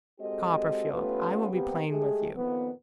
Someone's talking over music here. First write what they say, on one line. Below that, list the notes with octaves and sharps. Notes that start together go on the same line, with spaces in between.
Copperfield, I will be plain with you.
G#3 C4 F#4 G4 A4 D#5
A3 B3 C#4 F4 G4 B4
C3 G3 A#3 B3 G4
G#3 A3 G4 G#4
F2 A#2 D#3 B3